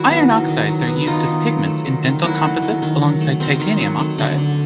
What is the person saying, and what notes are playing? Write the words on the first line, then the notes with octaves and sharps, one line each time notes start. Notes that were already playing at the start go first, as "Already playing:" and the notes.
Iron oxides are used as pigments in dental composites alongside titanium oxides.
Already playing: D#3 F#3 E4 F#4
B3
D#3
D#3
F#3
B3
D#3 D#4 F4
D#3
F#3
A3
D#3
D#3
F#3 E4 F#4
A3
D#3
D#3
F#3
A3
D#3 C4
D#3
F#3
A3
D3
D3